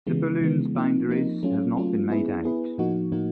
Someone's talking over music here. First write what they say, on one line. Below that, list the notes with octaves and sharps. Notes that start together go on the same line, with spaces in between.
Zebulun's boundaries have not been made out.
C#3 E3 G#3 B3
C#3 E3 G#3 B3
F3 A#3 D#4
F3 A#3 D#4
F#3 A3 C#4 F4
F#3 A3 C#4 F4
B3 E4 G#4 B4
B3 E4 G#4 B4
A2 F3 A#3 D#4 F#4
A2 F3 A#3 D#4 F#4